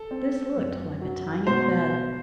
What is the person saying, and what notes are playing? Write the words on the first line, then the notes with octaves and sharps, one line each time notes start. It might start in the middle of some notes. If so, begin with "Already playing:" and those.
This looked like a tiny feather.
Already playing: A4
C4
F#2
F#3
B2 C5